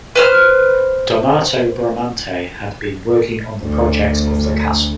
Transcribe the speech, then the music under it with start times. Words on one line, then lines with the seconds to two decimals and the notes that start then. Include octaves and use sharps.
Donato Bramante had been working on the project of the castle.
0.15 B4 C5 F6
3.60 D2